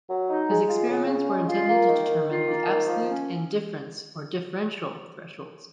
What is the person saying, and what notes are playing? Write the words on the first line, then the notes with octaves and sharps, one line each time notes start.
His experiments were intended to determine the absolute and difference, or differential, thresholds.
F#3
D#4
G#3
F4
C#3
C#4
G#3
F4
A#3
D#3
D#3
F4
A#3
D#3
F3
C#4